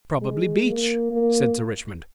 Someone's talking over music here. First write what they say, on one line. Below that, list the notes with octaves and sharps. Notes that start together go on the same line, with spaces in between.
"Probably beech," said Sir Richmond.
G#3
A#3
A#3